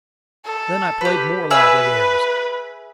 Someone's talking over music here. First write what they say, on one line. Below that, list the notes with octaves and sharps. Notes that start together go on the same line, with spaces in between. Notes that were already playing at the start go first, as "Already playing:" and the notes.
Then I played more lively airs.
A4
G4 B4
G#4 B4 E5 E6